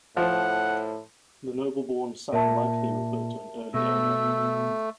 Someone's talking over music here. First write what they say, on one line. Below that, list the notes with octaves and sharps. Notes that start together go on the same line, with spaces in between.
The noble-born son likely referred to an early owner.
A2 F3 F#5
A#2 A#4 E5 A5
B2 A3 E6